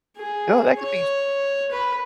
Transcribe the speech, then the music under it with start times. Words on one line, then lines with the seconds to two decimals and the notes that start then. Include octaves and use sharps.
No, that could be f
0.18 G#4
0.79 C#5
1.71 B4